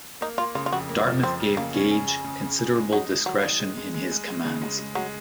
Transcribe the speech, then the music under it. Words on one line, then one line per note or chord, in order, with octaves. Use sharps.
Dartmouth gave Gage considerable discretion in his commands.
A#3 D#4
A#3 F4
C#3 F4
F4
F2 F#4
A#3
F3
F2 C4
F2
C#3 A#3
C#4
G#4
G#4
C#3
C#3
G#4
G#3
F#3 D#4
D#4
D#3 F#3
D#4
G#3
G#3
G#3
G#3
G#3
C#3
G#3
G#3
F#3 G#3